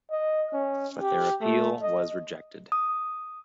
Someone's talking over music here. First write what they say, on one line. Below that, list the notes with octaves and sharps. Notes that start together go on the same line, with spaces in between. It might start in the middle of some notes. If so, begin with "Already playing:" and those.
But their appeal was rejected.
D#5
C#4
G4
A3
D#5
D#6